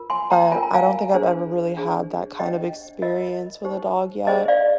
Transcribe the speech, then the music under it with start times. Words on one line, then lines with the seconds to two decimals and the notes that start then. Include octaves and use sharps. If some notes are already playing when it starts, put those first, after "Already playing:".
but I don't think I've ever really had that kind of experience with a dog yet.
Already playing: F4 A#4
0.10 G#5 C6
0.31 G5 A#5
0.52 F4 A#4 G#5
0.63 A#5
0.74 F5 G#5
1.14 D4 G#4 C5
1.77 D4 G#4 C5
2.39 D4 G4 C5 D#5 G5
3.02 F4 A#4 D#5
3.65 D#4 G4 C5
4.27 D4 G#4 C5 D#5
4.48 D5 F5